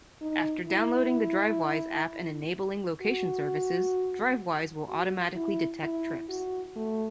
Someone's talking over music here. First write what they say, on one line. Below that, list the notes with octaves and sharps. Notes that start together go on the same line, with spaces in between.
After downloading the Drivewise app and enabling location services, Drivewise will automatically detect trips.
D#4
E4
F#4
F#4
E4
E4
F#4
A3